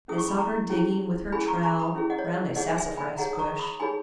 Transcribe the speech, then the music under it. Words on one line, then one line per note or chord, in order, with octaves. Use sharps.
They saw her digging with her trowel round a sassafras bush.
C#4 E4 G#4 D#6
C#6
B5
A#5 C#6
C#4 E4 G#4
C#4 E4 G#4 G#5 B5
A#5 C#6
A#5 C#6
B5 D#6
C#4 E4 G#4
D#5 F#5
C#5
D#5
D#4 G#4 C#5 D#5 F#5
E5 G#5
G#5 B5
D#4 G#4 C#5 F#5 A#5
D#6
A#5 C#6
B5 D#6
D#4 G#4 C#5 G#5 B5